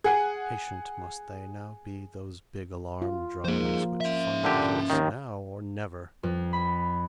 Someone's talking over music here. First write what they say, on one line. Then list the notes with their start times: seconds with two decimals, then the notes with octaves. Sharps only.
Impatient must they now be, those big alarm-drums, which find a voice now or never!
0.04 G#4 F#5 G#5
3.02 F4
3.45 F3 A#3 G#4 C5
4.01 C#4 E5
4.43 A#2 D3 G4
4.90 D#2 D#3
6.23 F2
6.53 B5